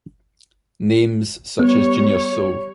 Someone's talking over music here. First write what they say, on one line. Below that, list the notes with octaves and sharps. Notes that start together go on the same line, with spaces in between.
Names such as Junior Seau.
G3 B3 C#5